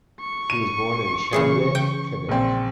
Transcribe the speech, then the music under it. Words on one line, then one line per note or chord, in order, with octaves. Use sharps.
He was born in Chambly, Quebec.
C#6
D#7
C#3 E3 G#4
G5
A#1 C4